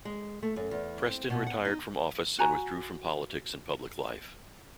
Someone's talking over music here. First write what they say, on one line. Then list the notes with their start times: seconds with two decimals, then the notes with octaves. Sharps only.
Preston retired from office and withdrew from politics and public life.
0.05 G#3
0.43 A3
0.56 F#2
0.71 E2
1.06 C4
1.30 B2
1.47 F#5
1.65 D#4
2.39 F#4 G#5 A#5